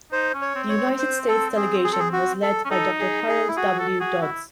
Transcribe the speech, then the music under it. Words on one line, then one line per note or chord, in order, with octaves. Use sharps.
The United States delegation was led by Doctor Harold W. Dodds.
D#4 C5
C#4
C#5
C4
C#5
C4
C5
A4
G#4
G#4
A4
G#4
F#4
A4
C#4
D#4 A4
G#4
G#4
E4
F#4 G#4
A4
F#4 G#4
E4